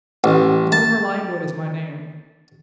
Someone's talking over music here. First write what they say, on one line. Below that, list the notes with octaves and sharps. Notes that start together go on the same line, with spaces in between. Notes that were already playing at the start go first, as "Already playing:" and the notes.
'Mortimer Lightwood is my name.
A1
A5